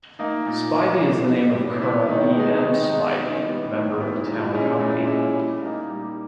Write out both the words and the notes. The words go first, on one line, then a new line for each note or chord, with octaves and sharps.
Spivey is the name of Colonel E. M. Spivey, member of the town company.
A#3 D#4
A#2
A#3 D#4
G3
B3 E4
G3
B3 E4
D#3
G#3 B3 D#4
D#3
G#3 B3 D#4
D#3
G3 B3 E4
D#3
G3 B3 E4
A#2
G#3 C#4 E4
A#2
G#3 C#4 E4
G3
A#3 D#4
G3